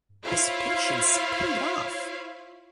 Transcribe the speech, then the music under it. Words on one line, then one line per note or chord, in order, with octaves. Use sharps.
His patience paid off.
E4 F4 C5 C#5 F5